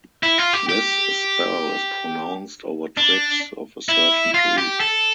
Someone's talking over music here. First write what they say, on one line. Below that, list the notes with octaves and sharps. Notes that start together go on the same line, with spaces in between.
This spell is pronounced over twigs of a certain tree.
E4
F4
G4
G4
D4
E4
F4
G4
A4